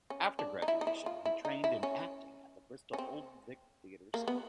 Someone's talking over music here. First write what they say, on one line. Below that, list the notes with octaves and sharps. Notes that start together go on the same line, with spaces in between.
After graduation he trained in acting at the Bristol Old Vic Theatre School.
C#4
D4
D#4
E4
D#4
E4
F4
E4
D#4
E4
C#4
C#4
C4
A#3
B3